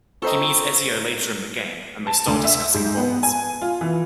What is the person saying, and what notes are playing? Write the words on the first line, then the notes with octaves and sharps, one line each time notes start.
He meets Ezio later in the game, and they start discussing bombs.
C4 F4 A4 C5 D#5 A#5 B5 C#6
A5
D2
E5
G#2
B3
G#5
F4
E3